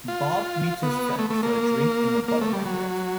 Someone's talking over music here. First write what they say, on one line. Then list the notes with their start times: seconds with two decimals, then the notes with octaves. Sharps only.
Bob meets his friend for a drink in the Buttermarket.
0.08 F4
0.83 B3
1.19 A3
1.30 A3
1.43 A#3
2.28 A#3
2.41 A3
2.53 G3
2.65 F#3